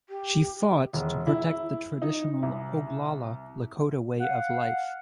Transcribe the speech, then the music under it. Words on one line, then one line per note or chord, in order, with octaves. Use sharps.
She fought to protect the traditional Oglala Lakota way of life.
G4
E1
E4
D#4
C2
F5 F#5